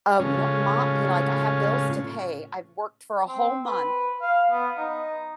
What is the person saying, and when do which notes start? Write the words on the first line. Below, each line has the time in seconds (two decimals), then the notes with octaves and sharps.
Of wha mo you know, like, I have bills to pay. I've worked for a whole month
0.20 A2 C#3 G#3 C#4 F4
3.28 C4
3.66 B4
4.21 F5
4.51 B3
4.78 D#4